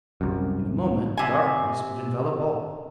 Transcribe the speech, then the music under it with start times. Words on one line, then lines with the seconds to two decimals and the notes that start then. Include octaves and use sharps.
In a moment darkness would envelop all.
0.21 C2 F#2
1.17 C3 G#5